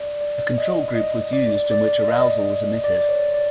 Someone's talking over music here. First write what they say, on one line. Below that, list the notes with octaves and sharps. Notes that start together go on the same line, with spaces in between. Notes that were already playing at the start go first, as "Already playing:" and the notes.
A control group was used in which arousal was omitted.
Already playing: D5
D5
D#5
D#5
D5
D5
D#5
D5
C#5
D5